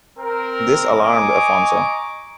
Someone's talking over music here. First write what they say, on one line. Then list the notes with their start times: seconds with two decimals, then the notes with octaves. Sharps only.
This alarmed Afonso.
0.19 C4 A#4
0.93 D#5 G#5 A#5 C#6 D6